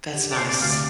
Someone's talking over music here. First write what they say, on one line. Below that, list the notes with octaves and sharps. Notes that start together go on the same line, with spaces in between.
That's nice,
G4
D5
C3 C5
D5
D2 F5
D5